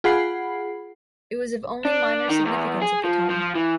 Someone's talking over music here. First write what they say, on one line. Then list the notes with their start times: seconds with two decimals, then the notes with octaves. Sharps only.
It was of only minor significance at the time.
0.04 F4 G#4 F#5 B5 C7
1.85 D4
2.29 D#3
2.45 E2
2.82 G#4
3.04 F3
3.30 F3
3.55 E3